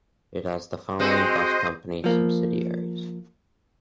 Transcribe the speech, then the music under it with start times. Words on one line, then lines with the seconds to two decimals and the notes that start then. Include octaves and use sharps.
It has the following bus company subsidiaries.
1.00 G#3 C4 F#4 C5 D#5
2.04 F3 A#3